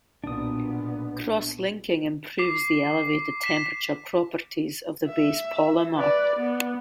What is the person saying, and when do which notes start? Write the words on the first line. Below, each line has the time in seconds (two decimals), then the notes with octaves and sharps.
Crosslinking improves the elevated-temperature properties of the base polymer.
0.24 B1 A#2 B3 D4 D#6
2.39 D6 C7
3.44 B6 E7
5.09 E5
5.96 B4 D5
6.36 B3